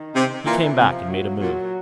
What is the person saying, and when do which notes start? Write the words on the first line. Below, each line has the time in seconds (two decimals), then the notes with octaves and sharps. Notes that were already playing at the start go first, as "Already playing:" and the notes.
He came back and made a move.
Already playing: D#3
0.14 C3
0.45 A#2 E3
0.77 C3 F3
1.09 F#3
1.40 A#2 F#3